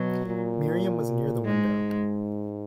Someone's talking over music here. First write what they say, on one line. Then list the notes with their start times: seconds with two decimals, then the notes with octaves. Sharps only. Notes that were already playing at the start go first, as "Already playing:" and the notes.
Miriam was near the window.
Already playing: B2 F#3
0.25 A#2
1.45 G#2 G#3